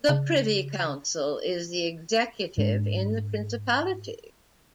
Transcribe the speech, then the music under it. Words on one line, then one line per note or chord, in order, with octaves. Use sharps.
The Privy Council is the executive in the principality.
C#3
G#2 G#3 D4